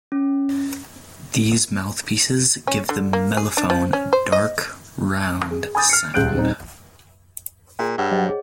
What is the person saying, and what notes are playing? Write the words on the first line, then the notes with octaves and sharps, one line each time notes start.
These mouthpieces give the mellophone a dark, round sound.
C#4
C#4
D3
A#3
G#4
D4
F3
C#4
C5
D#5
G#4
G#5 B5 D6 D#6 G6 A6
F6 C7 C#7
D#1 C#2 G#3 F#6 G6 D7
D#1 C4 D#4
A#2 G#4 F5 G5
G2 C#5 F#5 E6
F#3 G4 C5 D#5 F#5
G#4 C#5